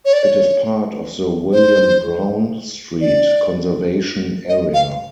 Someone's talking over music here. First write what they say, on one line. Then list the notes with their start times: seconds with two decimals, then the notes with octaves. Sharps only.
It is part of the William Brown Street conservation area.
0.05 C#5
0.13 D5
0.23 C#5
1.53 C5
3.01 D5
4.48 D#5
4.74 F5